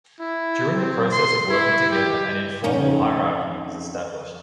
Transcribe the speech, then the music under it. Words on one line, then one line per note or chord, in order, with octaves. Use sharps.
During the process of working together an "informal hierarchy" is established.
E4
C4
C6
E4
G4
F2 C#4 D#4